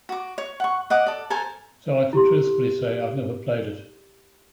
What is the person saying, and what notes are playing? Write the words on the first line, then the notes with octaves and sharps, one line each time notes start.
So I can truthfully say I've never played it!
F#4 D6
C#5
F#5 C#6
D#5 F#5 D6
A4 D5
A4 A#4 C5 G#5
E4 G4 C6